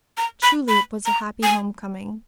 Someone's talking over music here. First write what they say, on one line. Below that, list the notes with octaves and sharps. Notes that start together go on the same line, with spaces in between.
Truly it was a happy home coming.
A#5
B5
B5
A#5
G#5